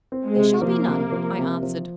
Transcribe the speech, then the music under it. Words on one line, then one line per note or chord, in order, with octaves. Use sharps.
'There shall be none,' I answered.
C4
G#3
C3
F3 A#3
C3
F3
C3
F3